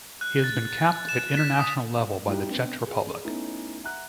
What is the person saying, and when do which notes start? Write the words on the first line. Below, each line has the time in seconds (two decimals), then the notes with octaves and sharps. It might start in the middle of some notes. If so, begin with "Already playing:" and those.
He has been capped at international level by the Czech Republic.
0.21 F#6
0.44 A6
1.09 E7
1.37 B6
1.59 D#6
2.28 G3 D#4 E4 F#4 G4
2.48 B3 C4 D4
2.87 G#4
3.25 A3 B3 C#4 D#4 E4
3.84 E5 F#5 A#5 F#6